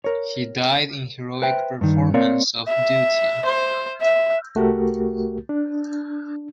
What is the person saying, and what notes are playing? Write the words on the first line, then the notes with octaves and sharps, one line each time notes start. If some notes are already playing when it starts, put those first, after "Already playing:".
He died in heroic performance of duty.
A#4 C#5
B4 C5 E5 G5
G2 D#3
A#3 C4 A#4 C#5 D5 F5
E5
C5
E5
C2 A3 F#4 G4 A#4
D4